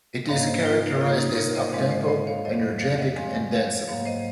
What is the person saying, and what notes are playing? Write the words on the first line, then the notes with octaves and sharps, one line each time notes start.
It is characterized as uptempo, energetic, and danceable.
G#2 D#3 A#3 C#5 F5
C5 D#5
F4
C3 D#3 A#3 F4
D#4
A#4 C#5
C5 D#5
G#2 D#3 G#3 C4 C#5 F5
C5 D#5
C5 D#5
C#5 F5
F2 D#3 F#3 C5 D#5
C#5 F5
D#5 F#5
F#2 F3 G#3 C4 F5 G#5
C#5 F5
G#2 F#3 A#3 C#5 F5
C5 D#5